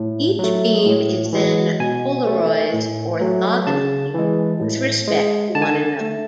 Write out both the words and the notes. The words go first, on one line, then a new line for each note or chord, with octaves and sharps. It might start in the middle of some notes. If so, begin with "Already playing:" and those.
Each beam is then polarized orthogonally with respect to one another.
Already playing: A2
F#3 A3
A2
E3 G#3
B2 G#5
A3
A2
F#3 A3
C#3 A5
E3 G#3
A2
G#3
D3 A5
G#5
A5
A3